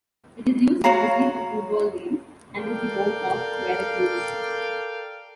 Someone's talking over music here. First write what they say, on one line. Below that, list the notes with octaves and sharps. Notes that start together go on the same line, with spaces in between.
It is used mostly for football games and is the home of Veracruz.
F#4 C#5 F5 A#5
A4 A#4 D5 F5 G5